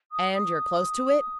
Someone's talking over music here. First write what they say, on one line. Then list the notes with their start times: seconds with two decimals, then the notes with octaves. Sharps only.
"And you're close to it?"
0.12 D#6
0.34 D#6